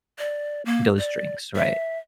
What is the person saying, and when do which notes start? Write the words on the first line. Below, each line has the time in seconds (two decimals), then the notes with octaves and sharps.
those drinks, right?
0.19 D5
0.66 A#3
0.99 D5
1.56 E5